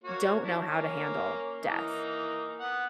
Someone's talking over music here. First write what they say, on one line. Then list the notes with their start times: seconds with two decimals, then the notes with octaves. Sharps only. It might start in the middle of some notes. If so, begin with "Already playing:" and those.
don't know how to handle death
0.04 A#3 F#4 C#5
0.42 F#3 D4 E4
0.66 A#3 C#4
1.63 E3 A#3 D#4
2.60 B3 F#5